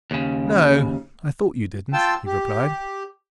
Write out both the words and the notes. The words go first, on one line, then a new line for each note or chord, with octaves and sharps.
"No, I thought you didn't," he replied.
D#2 C#3
F4 G5 A5 E6
G4